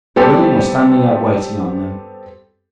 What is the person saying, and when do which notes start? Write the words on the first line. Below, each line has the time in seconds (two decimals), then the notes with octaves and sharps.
The women were standing up waiting on them.
0.16 G3 B3 C4 G4 A4 C5